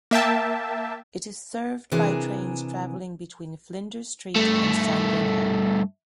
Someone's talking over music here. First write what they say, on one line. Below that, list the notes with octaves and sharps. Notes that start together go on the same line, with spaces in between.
It is served by trains travelling between Flinders Street and Sandringham.
A#3 E5 G5 A5
C3 E3 D4 G#4 A#4
G2 A3